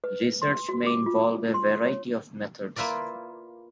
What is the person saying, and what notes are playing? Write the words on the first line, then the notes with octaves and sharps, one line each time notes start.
Research may involve a variety of methods.
B4
C6
F#4
D6
F4
C6
C#5
A#3 E4 F4 B4 D5